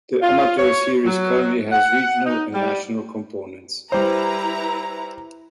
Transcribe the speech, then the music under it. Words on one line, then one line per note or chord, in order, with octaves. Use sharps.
The amateur series currently has regional and national components.
F4
C#5
F#3
F#5
D#4
G3
G3 E4 B4 C5 A#5